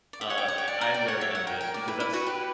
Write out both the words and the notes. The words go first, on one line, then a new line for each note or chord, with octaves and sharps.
uh, i I am very envious because that's
D5
E5
C#5 F#5
G5
F#5
G5
D5 F#5
A#5
G5
C#5 F#5
E5
F#5
A#4 G5
G5
D5
E4 B4
E4
F#4
G4